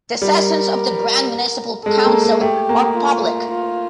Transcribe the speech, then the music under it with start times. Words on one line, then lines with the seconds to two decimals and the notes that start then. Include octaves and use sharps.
The sessions of the Grand Municipal Council are public.
0.22 G3 A#4
1.86 G#3 A4
2.05 A#3
2.23 A#3
2.41 A3 G4
2.69 A#3
2.97 F4
3.51 F4